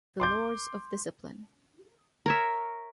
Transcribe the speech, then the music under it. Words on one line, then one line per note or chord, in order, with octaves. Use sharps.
"The Lords of Discipline".
C6 D6 G6
A#4 C#5 E5